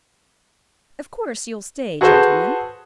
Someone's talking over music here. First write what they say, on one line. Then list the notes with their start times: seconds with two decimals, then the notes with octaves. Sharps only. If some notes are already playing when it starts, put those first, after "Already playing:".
Of course you'll stay, gentlemen?
2.01 F#4 G#4 A4 B4 C5